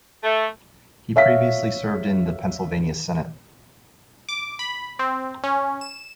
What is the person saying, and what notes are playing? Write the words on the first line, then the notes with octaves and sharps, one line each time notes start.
He previously served in the Pennsylvania Senate.
A3
C#5 E5 F5 B6
D6
B5
C4
C#4
E7